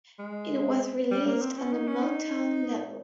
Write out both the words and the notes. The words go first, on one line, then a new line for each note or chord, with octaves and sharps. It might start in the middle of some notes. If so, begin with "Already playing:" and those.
It was released on the Motown label.
G#3
G3
A#3
C4
C#4
D#4
C#4
D#4